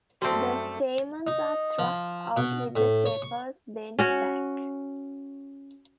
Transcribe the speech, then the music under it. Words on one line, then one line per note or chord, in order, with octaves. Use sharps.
The stamens are thrust out with the sepals bent back.
F#2 G3 A3 C4 F#4 A5
D#4
F3
B2
A2
C#5
C#6
C#4 F#4 C#5